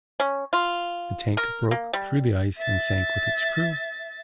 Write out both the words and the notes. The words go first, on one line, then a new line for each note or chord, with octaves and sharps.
The tank broke through the ice and sank with its crew.
C#4
F4
A#4
A#3
G3
E5 A6